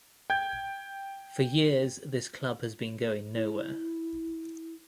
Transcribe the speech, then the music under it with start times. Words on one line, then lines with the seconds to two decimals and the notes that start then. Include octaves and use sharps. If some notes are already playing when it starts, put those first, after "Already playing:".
For years this club has been going nowhere.
0.30 G5 G6 G#6
3.35 E4